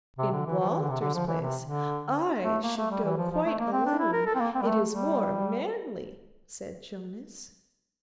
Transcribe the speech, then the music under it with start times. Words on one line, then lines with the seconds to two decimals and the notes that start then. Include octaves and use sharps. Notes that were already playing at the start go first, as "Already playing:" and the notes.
'In Walter's place I should go quite alone, it is more manly,' said Jonas.
0.18 C3
0.32 D3
0.46 E3
0.59 F3
0.70 E3
0.80 D3
0.89 C3
1.00 D3
1.14 F3
1.27 E3
1.42 C3
1.61 D3
2.43 A3
2.63 A#3
2.77 A3
2.91 G3
3.04 E3
3.17 F3
3.31 F3
3.45 A3
3.59 A#3
3.72 C4
3.86 D4
3.99 E4
4.13 A#4
4.26 A4
4.35 C4
4.40 A#3
4.54 C4
4.62 G3
4.67 A3
4.88 G3